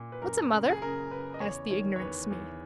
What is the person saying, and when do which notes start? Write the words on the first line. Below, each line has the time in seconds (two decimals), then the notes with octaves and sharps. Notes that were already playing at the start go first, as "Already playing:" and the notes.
"What's a mother?" asked the ignorant Smee.
Already playing: A#2
0.12 B4
0.22 F#2 A#4
0.51 C#3
0.70 G#4
0.82 C#3 A#4
1.11 C#3 B4
1.34 D#5
1.40 E2 C#5
1.70 D#3 C#5
1.96 C#5
2.00 E2 B4
2.30 E2